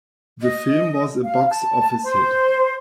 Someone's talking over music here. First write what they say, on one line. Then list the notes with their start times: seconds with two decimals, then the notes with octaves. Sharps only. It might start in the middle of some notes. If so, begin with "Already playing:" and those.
The film was a box office hit.
0.43 D#5
1.24 F5
1.51 A5
2.04 C5